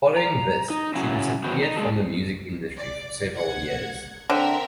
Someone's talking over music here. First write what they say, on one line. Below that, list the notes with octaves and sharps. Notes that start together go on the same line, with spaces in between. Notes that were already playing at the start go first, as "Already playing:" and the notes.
Following this, she disappeared from the music industry for several years.
A#5
D#4
C#3 F#3 C#4 E4
E2 D#3 B3 F#4 C5
D#4
A#2 G#3 G#4 A4
D5
F#5 G#6
D3 C4 A#4 C5 C#5 E5 G5